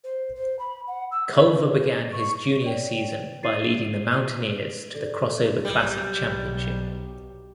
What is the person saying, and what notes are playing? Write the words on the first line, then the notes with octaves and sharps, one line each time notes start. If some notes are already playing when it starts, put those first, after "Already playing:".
Culver began his junior season by leading the Mountaineers to the Crossover Classic Championship.
C5
C5
B5
F#5
E6
E5
B4
D#5
C#6
C#5 D5 G5
E4 A6 C7 D#7
A4 D5
B1 G3